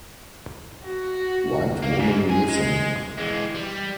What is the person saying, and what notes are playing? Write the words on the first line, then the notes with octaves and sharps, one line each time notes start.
White Woman Listen!
F#4
A#3
G#2
G#4
G#3
E3 G#3
G3